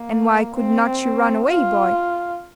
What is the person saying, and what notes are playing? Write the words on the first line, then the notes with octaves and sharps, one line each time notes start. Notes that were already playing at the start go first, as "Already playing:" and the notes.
'And why could not you run away, boy?'
Already playing: A#3
C4
F4